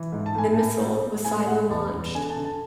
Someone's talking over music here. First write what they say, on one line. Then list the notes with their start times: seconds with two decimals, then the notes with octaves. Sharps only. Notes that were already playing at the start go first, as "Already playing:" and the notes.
The missile was silo-launched.
Already playing: E3
0.12 G#2
0.26 A5
0.35 A2 G#5
0.52 A2 A5
0.79 A2
1.02 A2
1.25 A2 G#5
1.47 A2 F#5
1.70 E2 A5
1.93 E2
2.15 D3 G#5
2.30 A5
2.37 D3
2.44 A5